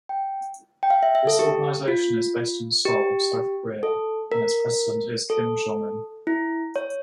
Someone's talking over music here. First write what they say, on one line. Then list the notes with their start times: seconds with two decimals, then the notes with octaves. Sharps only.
This organization is based in Seoul, South Korea and its president is Kim, Jong-Yun.
0.09 G5
0.83 G5
0.90 F5
1.03 E5
1.15 E5
1.27 A4
1.39 G4
1.88 F4
2.85 G4
3.83 A4
4.32 A#4
5.30 A4
6.27 E4
6.76 C#5